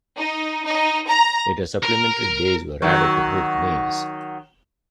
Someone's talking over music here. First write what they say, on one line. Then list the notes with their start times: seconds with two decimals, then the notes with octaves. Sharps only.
Later, supplementary bays were added to both naves.
0.18 D#4
0.64 D#4
1.09 A#5
1.83 A#4 A#5
2.82 D#3 F#3